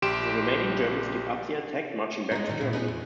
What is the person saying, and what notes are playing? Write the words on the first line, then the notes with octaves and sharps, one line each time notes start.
The remaining Germans give up the attack, marching back to Germany.
A#1 G4 C6 D7 E7
G#3 B3 D#4
F#2 D#3 F#4
A#2 E4
B3 D#4 G#4
E2